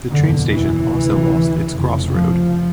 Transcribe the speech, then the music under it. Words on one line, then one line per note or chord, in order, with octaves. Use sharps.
The train station also lost its crossroad.
F#1 E2 B2 D3
E3
D2 C3
F1 F2 C#3
F3